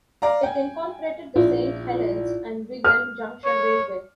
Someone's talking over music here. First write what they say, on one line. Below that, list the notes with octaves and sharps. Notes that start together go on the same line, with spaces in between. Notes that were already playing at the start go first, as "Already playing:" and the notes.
It incorporated the Saint Helens and Wigan Junction Railway.
D5 F5 A#5
G5 G#5
A#1 E4 F4
F6
C#5